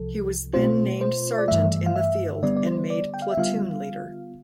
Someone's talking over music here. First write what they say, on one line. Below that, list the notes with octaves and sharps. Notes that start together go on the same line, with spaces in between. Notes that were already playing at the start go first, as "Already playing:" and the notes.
He was then named sergeant in the field and made platoon leader.
Already playing: C2 C3 F3 A4
B2 A3 C4 F4 C5
C5
D5
G2 E3 A3 E5
F5
E5
D3 G3 B3 D5
D5
C5
D5
G5
F5
E5
D3 G3 B3 F4 F5